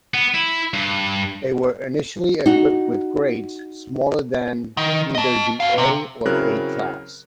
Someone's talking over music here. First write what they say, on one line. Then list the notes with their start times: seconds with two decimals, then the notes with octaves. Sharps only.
They were initially equipped with grates smaller than either the A or A class.
0.14 B3
0.34 E4
0.73 G2
2.46 D#4 F#4
4.77 D#3
5.15 D#5 A5
5.60 F#4 F5
5.78 C3
6.25 C#3 F#3 C4 E4 A#4 F#6